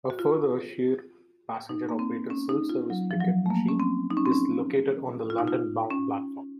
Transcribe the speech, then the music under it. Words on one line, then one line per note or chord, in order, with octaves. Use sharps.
A further Shere passenger-operated self-service ticket machine is located on the London-bound platform.
F#4
F4
D#4
A#3
C4
C#4
D#4
F4
F#3
F3
F#3
A3
A#3
C#4
C4
D#4
C#4
C4
C#4
F4
D#4
F4
C#4